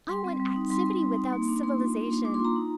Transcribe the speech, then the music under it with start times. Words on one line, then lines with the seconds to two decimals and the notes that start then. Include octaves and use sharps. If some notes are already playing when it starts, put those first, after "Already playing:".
I want activity without civilization.
0.09 G3 C6
0.24 C4
0.40 G3
0.56 D#4
0.70 G3 C6
0.87 C4
1.02 G3
1.17 D#4
1.33 A#3
1.48 D4
1.63 A#3 C6
1.79 F4
1.94 A#3
2.09 D4
2.25 A#3 D6
2.34 C6
2.39 F4
2.45 A#5
2.56 D#4